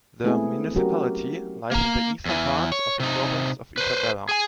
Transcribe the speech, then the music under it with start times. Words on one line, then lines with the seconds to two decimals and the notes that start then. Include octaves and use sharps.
The municipality lies in the eastern part of the Province of Isabela.
0.24 G#3 A3 B3 C4 E4 G#4
0.74 F#3 C#4 F#4 G4 A#4
1.71 A#3 A#5
2.25 E2 E3
2.72 C#5
3.00 C3 D#4
3.78 B4 C5
4.29 G#4 G#5